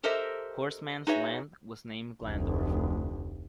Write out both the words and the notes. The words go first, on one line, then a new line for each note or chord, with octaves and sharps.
Horstmann's land was named Glandorf.
G4 A4 A#4 C5 D#5 E5
D#4 F#4 G#4 B4 C#5 E5
F1 D2